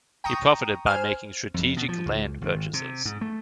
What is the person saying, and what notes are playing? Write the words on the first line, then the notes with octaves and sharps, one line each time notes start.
He profited by making strategic land purchases.
G5 A#5 C#6 D#6
C5 G#5 F6
F2
B2
F3
C#2
G#1
C3
G#2
A3